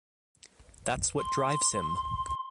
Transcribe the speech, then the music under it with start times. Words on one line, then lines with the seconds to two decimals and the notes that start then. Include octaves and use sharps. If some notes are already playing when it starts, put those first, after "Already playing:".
That's what drives him.
1.18 C6